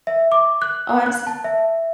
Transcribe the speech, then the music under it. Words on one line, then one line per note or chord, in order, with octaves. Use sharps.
oh I'm s
E5
D6
F#6
F#6
A5
E5